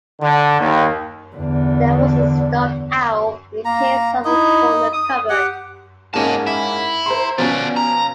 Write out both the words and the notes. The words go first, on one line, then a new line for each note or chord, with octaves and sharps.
There was a stuffed owl in a case over a corner cupboard.
D3
D#2
E2 D3
A#3 A#5
D#4 E4 D#5
D#6
G4 F#5
G#2 A#3 C#4 D#5 A5
E4
C5 A#5 C6
B2 F3 C#4 F#4 D5
A#5